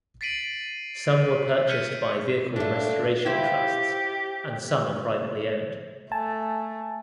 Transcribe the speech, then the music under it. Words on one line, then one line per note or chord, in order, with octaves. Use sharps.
Some were purchased by vehicle restoration trusts and some are privately owned.
A6 B6 C7 D7 D#7 F#7
F6 G6 G#6 B6 C#7 D#7
A#2 A3 D4
E4 F4 G4 C5
A3 G#5 A5